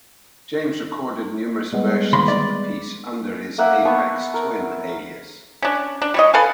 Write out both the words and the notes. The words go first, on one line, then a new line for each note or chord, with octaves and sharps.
James recorded numerous versions of the piece under his Aphex Twin alias.
G3 G#3 B3
D#2 B5 C6
D5
A#3 E5 F#5
B3 A5 C#6
A#4
C#4 D4
D4
G3 C#5 D#5
A4 B4 F5 G#5